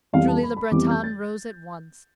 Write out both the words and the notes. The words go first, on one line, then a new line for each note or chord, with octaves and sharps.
Julie Le Breton rose at once.
F2 E3 G3 B3 F5
A5
B5
B5
F2 E3 G3 B3 D6
G6
A6